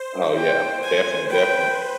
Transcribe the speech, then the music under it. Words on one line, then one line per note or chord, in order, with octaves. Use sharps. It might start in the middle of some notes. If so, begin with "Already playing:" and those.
Oh, yeah, defin definitely.
Already playing: C5
G5
C5 G#5
B4 G5